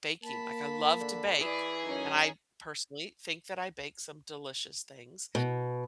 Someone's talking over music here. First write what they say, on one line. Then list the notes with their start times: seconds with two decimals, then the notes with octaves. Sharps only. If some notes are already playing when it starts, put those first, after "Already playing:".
baking. Like, I love to bake, and I, personally, think that I bake some delicious things,
0.24 A#3 A5 B5
1.01 D3
1.40 E3 G#4 D5 B5
1.84 F#2 C#4 D#4
5.35 B2